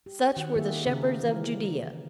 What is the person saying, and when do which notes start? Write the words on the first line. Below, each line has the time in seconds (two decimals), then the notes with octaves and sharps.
Such were the shepherds of Judea!
0.06 G4
0.36 D#3 F#4 F#5
0.56 D#3 A#3 F4 G4 G#4 E5
0.86 C#3 G#4 A#4
1.20 E3 A#4